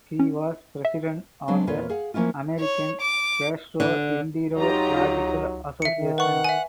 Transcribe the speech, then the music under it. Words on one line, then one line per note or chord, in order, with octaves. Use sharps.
He was President of the American Gastroenterological Association.
C#4
E5
F#3 G#3 B3 C4 D4
E2 A#2 C4 F4 B4 C#5
G#4 F5 F#5
F3 A#3 C#4 E4 F4
C#5
D6
D3 D4
F#3 D#4 F4 G4 A#5
E3 E5 C#7
D#3
B4 F#5 C#6
E5 G#5